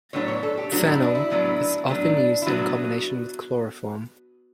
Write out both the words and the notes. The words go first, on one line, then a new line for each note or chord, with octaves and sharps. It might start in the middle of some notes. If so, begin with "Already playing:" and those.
Phenol is often used in combination with chloroform.
A2 F#3 B3 D4 C#5
C#5
A4
G4
A2 F#3 B3 D4 F#4
E4
D4
E4
A2 F#3 B3 D4
A2 F#3 B3 D4
E4
A2 F#3 B3 D4 F#4